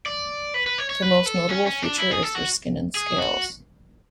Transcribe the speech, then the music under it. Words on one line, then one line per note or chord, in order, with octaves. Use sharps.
Their most notable feature is their skin and scales.
D5
B4
B4
C#5
C#5
B4
A4
C#4
C#4
D4
E4
G#4
A4
F#4
G#4
F#4